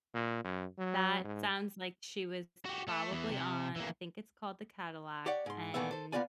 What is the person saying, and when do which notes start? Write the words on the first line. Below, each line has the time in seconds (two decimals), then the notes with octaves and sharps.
That sounds like she was probably on- I think it's called the Cadillac, and
0.14 A#2
0.44 F#2
0.78 F#3
1.24 G#2
2.65 F#4 G4
2.88 A3
3.11 E2 E3
3.31 C3
3.76 E3 A#3
5.26 G4 C#5 D5 F#5
5.46 G#2 C6
5.74 A#2 E3 A3 B3 E5
5.91 A4 C5
6.12 A#3 B3 F4 D5 G#5